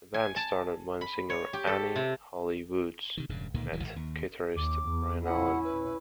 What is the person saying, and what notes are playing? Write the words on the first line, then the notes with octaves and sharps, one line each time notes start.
The band started when singer Annie "Holly" Woods met guitarist Brian Allen.
G#5
A5
B5
C#5
G4
A4
C3
C3 D#3
E1 G2 C#3
C#2 A#2 D3 D#3
D1 D#3 E3 F#3
G#1
D#2
D#2 D6
E2
C#4 E4 F#5
B4